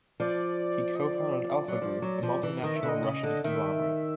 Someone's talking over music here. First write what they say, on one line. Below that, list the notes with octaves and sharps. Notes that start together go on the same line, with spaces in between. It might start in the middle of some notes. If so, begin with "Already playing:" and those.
He co-founded Alfa-Group, a multinational Russian conglomerate.
F3 D5
D#5
D5
F#3
F3
F#3
F3
E3
D#3 D#5
E5
D3
D#5
C#3
D3
D#3 E5